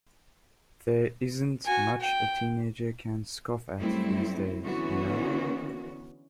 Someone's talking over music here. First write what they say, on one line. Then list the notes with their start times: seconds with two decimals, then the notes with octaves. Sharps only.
There isn't much a teenager can scoff at these days, you know.
1.66 F#4 G#5
2.01 G5
3.79 F#2 G3 A3 C4 E4
4.64 D3 E3 B3 C#4 F#4